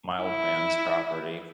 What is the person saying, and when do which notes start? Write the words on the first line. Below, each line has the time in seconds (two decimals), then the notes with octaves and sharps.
my old man's property
0.23 E4